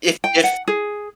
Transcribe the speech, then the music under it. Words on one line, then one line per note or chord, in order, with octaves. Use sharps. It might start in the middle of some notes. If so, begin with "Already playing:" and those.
if if
G5
F#5
G#4